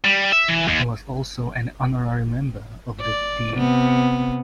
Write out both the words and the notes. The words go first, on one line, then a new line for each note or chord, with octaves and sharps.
He was also an honorary member of the D.
G3
E5
E3
D#2
D5
C3 B3